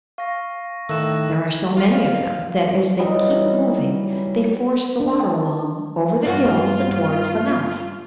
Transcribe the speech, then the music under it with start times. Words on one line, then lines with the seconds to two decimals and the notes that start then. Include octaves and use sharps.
There are so many of them that, as they keep moving, they force the water along, over the gills and towards the mouth.
0.18 F5 C#6 A#6
0.89 A2 D#3 E6 F#6 E7
1.77 F4
2.99 E3 F#3 G3 D#4
5.00 D4
6.25 G2 B3 F4 F#4